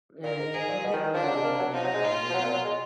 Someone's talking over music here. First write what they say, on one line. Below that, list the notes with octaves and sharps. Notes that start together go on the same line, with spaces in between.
I mean, you can't really go wrong with that already
A#2 A#4
G#2
G#2 G#4
A#2
B2
D#3
D#3
F3 D4
F#3
G#3
A#3
F#3
F3 D#4
F#3
G#3
F4
F3
F#3
A#2
F#3
G#3